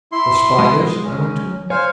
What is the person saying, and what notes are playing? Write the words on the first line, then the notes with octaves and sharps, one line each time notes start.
"Or spiders?" I went on.
E4 C6
G#3
C#4
C5 C#5 F5 G#5